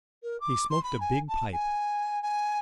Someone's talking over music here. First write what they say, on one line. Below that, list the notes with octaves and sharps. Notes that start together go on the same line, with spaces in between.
He smoked a big pipe.
A#4
D6
C6
B5
G#5
A5
G#5
G#5